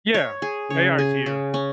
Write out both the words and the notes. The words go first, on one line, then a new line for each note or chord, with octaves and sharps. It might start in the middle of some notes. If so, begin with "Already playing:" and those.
Yeah, AIs here.
C#5
G#4
C#3 C#5
G#4
C#3
C#4